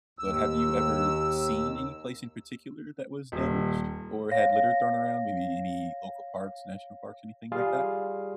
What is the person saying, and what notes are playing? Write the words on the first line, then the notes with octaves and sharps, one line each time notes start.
But have you ever seen any place in particular that was damaged or had litter thrown around? Maybe any local parks, national parks, anything like that?
D#2 E6
D#1
C#5 F5 A#6
G3 F4 G#4 F5